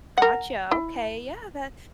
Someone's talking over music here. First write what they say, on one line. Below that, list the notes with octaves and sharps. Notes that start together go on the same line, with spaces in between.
Gotcha. Okay, yeah! That
A#4 F#5
E4